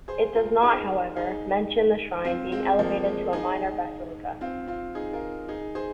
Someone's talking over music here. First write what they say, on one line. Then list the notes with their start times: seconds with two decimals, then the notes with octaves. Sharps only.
It does not however, mention the shrine being elevated to a minor basilica.
0.08 G#4 C5
0.35 F4 A#4
0.63 D#4 G#4
1.16 D#4 G#4
2.24 C4 F4
2.52 G#3 C4
2.79 F3 A#3
3.05 G#3
3.33 D#4 G#4
4.41 C4 F4
4.67 C4 F4
4.95 D#4 G#4
5.13 F4 A#4
5.48 D#4 G#4
5.75 G#4 C5